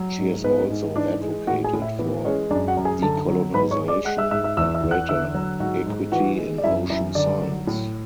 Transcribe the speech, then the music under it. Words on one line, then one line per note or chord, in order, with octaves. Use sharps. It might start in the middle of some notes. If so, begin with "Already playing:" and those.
She has also advocated for decolonization and greater equity in ocean science.
Already playing: F#3
G#2
G#2 B3 B4
G#2
E3 D4 D5
G#3
A2 F#4 F#5
G#4 G#5
A2
E4 E5
E3 B3 B4
G#3 C#4 C#5
F#2 D4 D5
F#4 F#5
F#2
G#4 G#5
D3 A4 A5
F#3
G#2 B4 B5
C#5 C#6
G#3
D5 D6
G#3 F#5 F#6
E5 E6
G#2 E5 E6
E5 E6
E2 E5 E6
E5 E6
E2
F#5 F#6
D3 E5 E6
F#3
G#2 F#4 F#5
G#2
E3 F#4 F#5
G#3
D5
F#2 E4 E5
F#2 E4 E5
D3 D4 D5
F#3
A2